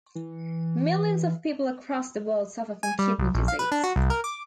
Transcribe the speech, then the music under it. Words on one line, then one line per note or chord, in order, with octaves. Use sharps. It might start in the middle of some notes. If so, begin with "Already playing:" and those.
Millions of people across the world suffer from kidney disease.
E3
G#5
G3
C2
A#1
F5
B4
D4
F#4
C2
A#4
D6